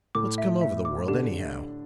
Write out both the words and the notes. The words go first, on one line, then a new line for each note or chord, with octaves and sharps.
What's come over the world anyhow?
A2 A3 D6
E5
E5
D6
D3 D4 G4